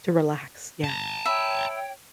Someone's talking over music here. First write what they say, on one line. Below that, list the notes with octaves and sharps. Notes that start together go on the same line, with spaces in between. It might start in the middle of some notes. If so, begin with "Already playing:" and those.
To relax, yeah.
A5 A#5
C#5 E5 G5 B5